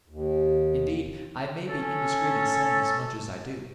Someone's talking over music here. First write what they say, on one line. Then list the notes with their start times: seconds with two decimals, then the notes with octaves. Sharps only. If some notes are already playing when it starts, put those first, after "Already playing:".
Indeed, I may be indiscreet in saying as much as I do.
0.08 D#2
1.70 C#4 A4